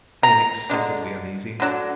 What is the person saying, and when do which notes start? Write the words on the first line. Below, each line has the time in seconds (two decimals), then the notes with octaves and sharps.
I am excessively uneasy.
0.23 A#5
0.70 D3 G#3 D4
1.60 D3 F#3 D4